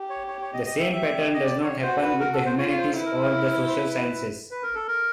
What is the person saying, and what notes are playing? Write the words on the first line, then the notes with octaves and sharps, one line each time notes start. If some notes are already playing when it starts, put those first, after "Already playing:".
The same pattern does not happen with the humanities or the social sciences.
Already playing: G4
C#5
C#5
C#5
D#5
G4 D#5
E5
E5
D#5
D5
C#5
F#4 C5
B4
A#4
A4
C5
F4 C#5
C#5
C5
E4 B4
A#4
A4
A#4
C5
B4
B4
A#4
A4
A#4